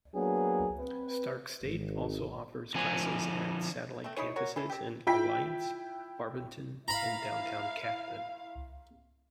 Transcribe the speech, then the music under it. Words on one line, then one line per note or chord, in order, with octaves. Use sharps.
Stark State also offers classes at satellite campuses in Alliance, Barberton and Downtown Canton.
F#3 A#3 B3 D4 G#4
C4 B4
G#1
D3 F3 G#5
A3 C4
D#4 E4 G#4 C#5
F#4 A#4 C#5
E3 G#4 A4
C4 G4
E4 F4 G5 B6
E4 F5 A#5 B5